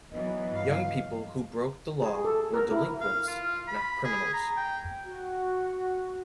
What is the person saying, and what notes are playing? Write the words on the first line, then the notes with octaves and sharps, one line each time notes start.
Young people who broke the law were "delinquents," not criminals.
E3 F#3 B3 D#5
G2 F5
G#4
A4
A#4
E4
F5
F4
B5
G#4
A#5
G5
F#4